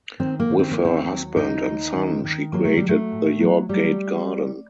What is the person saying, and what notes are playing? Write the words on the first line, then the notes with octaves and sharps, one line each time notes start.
With her husband and son she created the York Gate Garden.
D#3 C4
A#3
D#3
C4
A#3
D#2
C4
F#3
D#2 D#4
D#2
D#3
D#3
F#3 A#3
A3
G3
F#3
A3
A2
F#3
F#3 G3